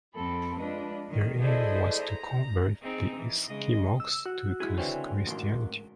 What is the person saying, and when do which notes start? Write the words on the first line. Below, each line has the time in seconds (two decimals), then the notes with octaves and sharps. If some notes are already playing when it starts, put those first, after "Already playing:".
Their aim was to convert the Esquimaux to Christianity.
0.14 F2 C4 A4 B5
0.58 G#3 D4 F4 B4 D#5
1.08 D#3
1.39 E4 G#4 A4 C5 D5 D#5
2.01 A#5
2.83 C4 D#4 G#4
3.16 E3
3.48 C#3 G#3 D#5
4.00 E6
4.26 F#4
4.60 G#3 E4 G#4
4.78 C#2 D3 E3 C4 C#4
5.27 A1 G#2 A#4 C6